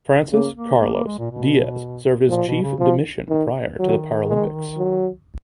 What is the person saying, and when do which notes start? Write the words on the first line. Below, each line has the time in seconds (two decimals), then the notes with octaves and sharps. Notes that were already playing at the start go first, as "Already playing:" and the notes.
Francis Carlos Diaz served as chef de mission prior to the Paralympics.
0.32 C#3 A#3
0.57 A#3
0.81 A#3
0.93 A#3
1.06 G#3
1.19 A#2
1.31 B2
2.29 A#2 F3
2.47 B2
2.63 C#3
2.79 F3
3.30 D#3
3.79 D#3 F#3
4.28 G#3
4.78 F#3